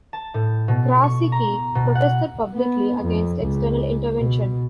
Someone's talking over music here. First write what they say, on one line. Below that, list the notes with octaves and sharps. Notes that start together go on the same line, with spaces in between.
Krasicki protested publicly against external intervention.
A5
A2
B2
C#6
A#5
B2
F#5
B3
F2
C#2
B2